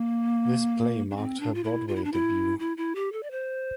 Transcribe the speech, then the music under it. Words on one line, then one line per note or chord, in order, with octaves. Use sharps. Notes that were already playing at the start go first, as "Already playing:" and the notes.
This play marked her Broadway debut.
Already playing: A#3
D4
C4
D4
F4
E4
F4
E4
D4
E4
E4
E4
G4
A4
D5
C5